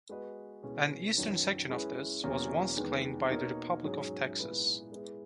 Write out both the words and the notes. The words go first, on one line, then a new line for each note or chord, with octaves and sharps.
An eastern section of this was once claimed by the Republic of Texas.
G#3 B3 F#4 B4 D#5
B2 G#3 C#4 E4 G#4
F#2 D#3 F#3 B3
G#3 C#4 E4 G#4 B4
E2 B2 F#3 A#3 C#4
E2 D#3 G#3 B3
B2 A#3 D#4 A#4 C#5
G#2 F#3 C#4 G#4
A#2 G#3 B3 E4 B4
G#3 B3 E4 G#4